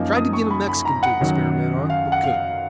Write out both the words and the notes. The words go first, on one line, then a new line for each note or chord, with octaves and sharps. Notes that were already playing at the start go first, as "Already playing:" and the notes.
I tried to get a Mexican to experiment on, but couldn't.
Already playing: F#2 F3 A#3 D#4
D#6
C#6
B5
B5
A#5
F#5
F#2 D#3 F#3
F5
F#5
F5